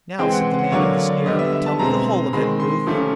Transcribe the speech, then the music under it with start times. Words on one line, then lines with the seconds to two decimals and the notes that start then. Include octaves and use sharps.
"Now," said the man of the sneer, "tell me the whole of it, Ruth."
0.19 E3 G#3 C4 G5
0.32 F#5
0.59 F#5
0.72 D3 F#3 A#3 D4 C#5
0.99 D5
1.26 D3 G3 B3 D#5
1.39 E5
1.53 E5
1.66 A5
1.79 B2 G#3 C4 A#5
2.33 D#3 G#3 C4 B5
2.60 C6
2.87 C3 F3 A3 C#4